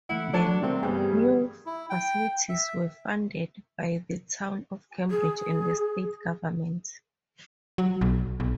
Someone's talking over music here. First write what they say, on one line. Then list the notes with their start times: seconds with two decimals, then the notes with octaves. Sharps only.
The new facilities were funded by the Town of Cambridge and the State Government.
0.09 E3 A3 E4 F#5
0.33 D4 A4 C#5 D5 A5
0.63 C3 G3 C4 A#4
0.83 G2 G3 B3 G#4
1.66 E4
1.90 G5
2.49 E5
5.11 G#4
7.78 F#3
8.01 B1
8.40 B1